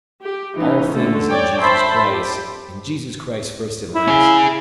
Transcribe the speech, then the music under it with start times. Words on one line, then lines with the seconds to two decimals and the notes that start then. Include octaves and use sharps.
All things in Jesus Christ--in Jesus Christ, first and last.
0.22 G4
0.59 E3 B3 C#4 D#4
0.93 D3 A3 A4
1.29 C#5 D5 G5
1.60 C5 E5 A5 B5 C6
2.07 G4
3.95 E4
4.08 C#4 G#4